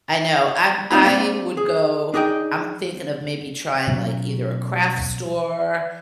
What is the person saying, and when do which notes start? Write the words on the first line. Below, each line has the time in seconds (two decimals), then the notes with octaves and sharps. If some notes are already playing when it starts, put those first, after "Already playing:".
I know, I'm I would go I'm thinking of maybe trying, like, either a craft store
0.91 C4 D#4 F4 B5
1.04 A#3 C4 D4 E5
1.57 G#4
2.14 D4 D#4 G#4 D#5 E5 G5
3.87 B2 F#3 C#4